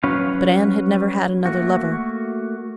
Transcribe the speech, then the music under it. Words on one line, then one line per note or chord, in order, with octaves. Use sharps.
But Anne had never had another lover.
F#3 C#4 B4 F5
A3 A#3 F#4